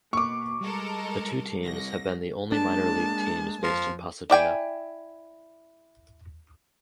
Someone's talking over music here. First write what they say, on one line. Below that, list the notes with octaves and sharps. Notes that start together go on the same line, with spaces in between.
The two teams have been the only minor league teams based in Pasadena.
B2 A#3 C#6 D6
G3 G#3 A4 A#4
C2 A#6
G#3 A#3 D4 A5
F2 F3
E4 D5 G5 G#5